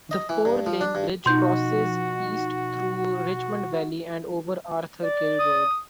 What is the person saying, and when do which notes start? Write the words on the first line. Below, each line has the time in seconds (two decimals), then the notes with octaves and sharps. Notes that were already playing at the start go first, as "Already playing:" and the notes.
The four-lane bridge crosses east through Richmond Valley and over Arthur Kill Road.
0.11 D#5
0.29 E3
0.45 G2
0.66 F3
0.81 D4
0.95 G2
1.26 B2 F3 D#4 F#4 C6 G6
5.02 D5
5.39 D#6